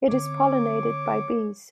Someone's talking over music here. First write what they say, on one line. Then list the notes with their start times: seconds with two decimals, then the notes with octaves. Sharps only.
It is pollinated by bees.
0.08 D3 C4 C#4 C#5 D6